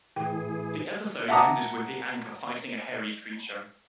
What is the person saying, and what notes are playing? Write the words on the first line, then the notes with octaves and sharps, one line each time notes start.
The episode ended with the anchor fighting a hairy creature.
A2 E3 G#4 G5
E5 F#5 A5 A#5 D6 D#6